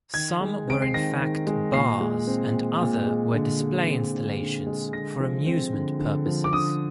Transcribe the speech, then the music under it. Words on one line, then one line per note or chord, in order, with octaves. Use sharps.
Some were in fact bars and other were display installations for amusement purposes.
D#3 G#6
G#3
C4 D7
C7
D#3 A#6
D#3
G#3
A#2 C7
G#3
C4
A#2
A#2
G#3
D3
G#3
C4
D3
D3
G#3
D3 A#6
F3
C4
D3
D3
F3
D6
D3 D#6